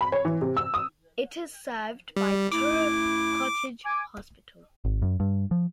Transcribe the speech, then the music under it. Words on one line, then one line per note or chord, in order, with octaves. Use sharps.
It is served by Turriff Cottage Hospital.
B5
C#5
E3
C3
E6
D#6
G3
F#2 A3 E4 D6
G#5 D6
G#1
F#2
G2
F3